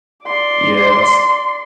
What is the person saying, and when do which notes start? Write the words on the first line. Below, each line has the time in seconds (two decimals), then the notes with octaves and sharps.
Yeah, that's
0.24 D5 C6